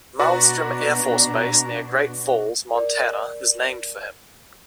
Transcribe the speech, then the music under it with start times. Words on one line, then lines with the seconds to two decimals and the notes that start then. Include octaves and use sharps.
Malmstrom Air Force Base near Great Falls, Montana is named for him.
0.20 B2 D4 F#4 B4 D5 A#5
2.75 A#4 D5